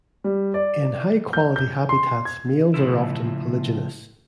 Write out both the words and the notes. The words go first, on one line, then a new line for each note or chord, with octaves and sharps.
In high-quality habitats, males are often polygynous.
G3
D5
G6
G6
C6
G#6
A2 C#3 F3 E4